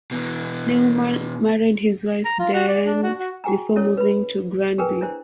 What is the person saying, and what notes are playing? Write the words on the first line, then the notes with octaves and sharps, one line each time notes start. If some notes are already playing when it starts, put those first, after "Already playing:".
Neumann married his wife Diane before moving to Granby.
B2 E3
A#5
F4
F#4
D5
D4
F#4
F#4
F#4 G#4 G5 G#5 A#5
C#4 E4 A4 C#5
B4 B5
G#4 A#4 B4 G5 G#5
D4 E4 C5